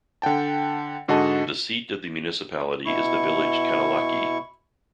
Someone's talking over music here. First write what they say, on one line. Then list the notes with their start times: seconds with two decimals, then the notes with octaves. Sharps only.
The seat of the municipality is the village Kanallaki.
0.22 D3 F#5 G5 A5
1.08 G#2 D3 F#4 G#4 D#5 A5
2.85 B2 E4 C#6